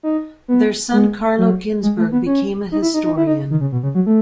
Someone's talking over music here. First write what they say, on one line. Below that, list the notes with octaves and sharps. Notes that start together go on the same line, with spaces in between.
Their son Carlo Ginzburg became a historian.
D#4
B3
G#3
F#3
G#3
A3
B3
C#4
D#4
E4
D#4
D#4
E4
D#4
D#3
C#3
B2
C#3
F#3
A3